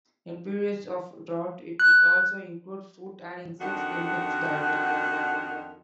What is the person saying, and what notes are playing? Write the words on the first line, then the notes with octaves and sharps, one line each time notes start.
In periods of drought, it will also include fruit and insects in its diet.
F#6
F2 D#3 D4 F#4 F#5